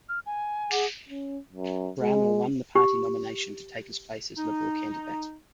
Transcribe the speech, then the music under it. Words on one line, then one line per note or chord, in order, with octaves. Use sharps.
Brownell won the party nomination to take his place as Liberal candidate.
F6
G#5
G#4 F#5 D6
C#4
F#2
G#3
G4
D#4